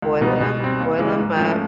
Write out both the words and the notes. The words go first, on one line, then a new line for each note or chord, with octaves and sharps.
boiling ‘em boil ‘em up,
C#2
B2 G3 B3 D#4
B2
G3 C4
D#2
C#3 E3 G#3
G#2
F3 A3 C#4